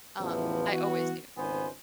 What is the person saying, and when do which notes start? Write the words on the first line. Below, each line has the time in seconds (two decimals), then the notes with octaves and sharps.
um, I always knew,
0.19 A1 E2 C3 F3 B4
0.71 E3 B3 F#4
1.37 G#1 C#2 B3 C5 G#5